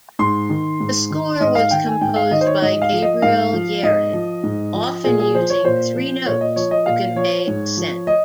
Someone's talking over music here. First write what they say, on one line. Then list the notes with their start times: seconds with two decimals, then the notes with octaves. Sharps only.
The score was composed by Gabriel Yared, often using three notes to convey ascent.
0.19 G#2 C6
0.50 D#3
0.80 G#2
1.11 D#3
1.41 G#2 D#5
1.55 F5
1.71 D#3 G5
1.86 G#5
2.01 G#2 G5
2.16 F5
2.31 D#3 D#5
2.41 C5
2.46 C#5
2.62 G#2 D#5
2.82 F5
2.92 F3
3.02 D#5
3.22 G#2 F5
3.53 F3
3.83 G#2 D#5
4.13 F3
4.43 G#2
4.74 F3
5.04 A#2 G#4
5.20 G#4
5.35 F3 C5
5.50 C#5
5.65 A#2 C5
5.95 F3
6.26 A#2 C#5
6.41 D#5
6.56 F3 C#5
6.71 D#5
6.86 A#2 F5
7.16 F3 C#5
7.47 G#2
7.77 F3
8.07 D#5